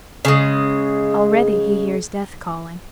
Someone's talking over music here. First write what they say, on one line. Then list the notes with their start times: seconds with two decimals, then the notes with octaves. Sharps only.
Already he hears death calling.
0.25 C#3 G#3